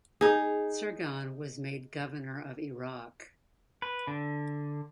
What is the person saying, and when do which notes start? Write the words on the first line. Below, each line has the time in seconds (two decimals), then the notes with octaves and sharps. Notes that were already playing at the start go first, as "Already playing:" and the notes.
Surgan was made governor of Iraq.
0.21 D#4 G#4
3.82 B4
4.07 D3